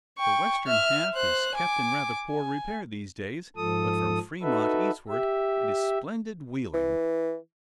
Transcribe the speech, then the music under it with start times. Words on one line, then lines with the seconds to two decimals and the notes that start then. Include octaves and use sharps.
The western half is kept in rather poor repair these days; but from Fremont eastward it is splendid wheeling.
0.18 G5 C#6
0.67 E5 F6
1.14 C5 F#6
1.55 G#5 D6
2.29 G#5
3.57 G#2 F3 A4 D#6
4.42 D#4 F#4 A4 B4 E5
5.09 G4 E5
6.74 E3